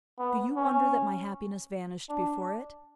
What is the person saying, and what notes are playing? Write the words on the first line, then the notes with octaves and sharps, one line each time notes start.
Do you wonder that my happiness vanished before it?
B3
C#4
D4